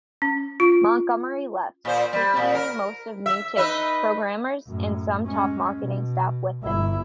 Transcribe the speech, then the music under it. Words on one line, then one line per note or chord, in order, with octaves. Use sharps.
Montgomery left, taking most of NewTek's programmers and some top marketing staff with him.
C#4
F4
A#2 C5
G3
A#2
A#4
E5
D#4 B4 E5
F#2 A2
G#3 C#4
B2
G1 E4